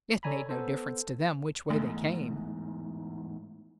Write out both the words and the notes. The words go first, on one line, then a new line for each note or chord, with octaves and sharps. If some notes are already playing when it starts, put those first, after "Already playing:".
It made no difference to them which way they came.
A4 C#5 D5 G#5 A#5 B5
B3 A4 C5
E2 G#2 A3